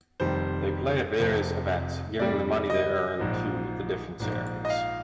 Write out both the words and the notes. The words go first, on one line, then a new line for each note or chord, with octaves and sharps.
They play at various events, giving the money they earn to the different charities.
F1 F2 D#3 G3 C5
F1 F2 C3 F3
F2 C3 G3 D5
D#5
A#1 G#2 F3
A#1 G#2 F3
D#5
F5